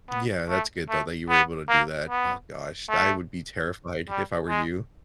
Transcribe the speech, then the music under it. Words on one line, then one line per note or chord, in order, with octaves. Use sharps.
Yeah, that's good though that you were able to do that. Oh gosh. I would be terrified if I were you.
B3
A3
A3
B3
A#3
B3
A3
G3
G#3